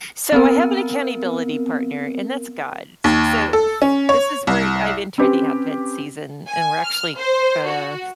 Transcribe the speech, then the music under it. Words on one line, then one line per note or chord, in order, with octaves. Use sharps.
So I have an accountability partner, and that's God. S so, f this is where I've entered the advent season, and we're actually, uh
B3 C4 A#4
D#2
A4
C#4
C#5
C2
C4 C#4 G4 B4
G#5
F6
C5
F#4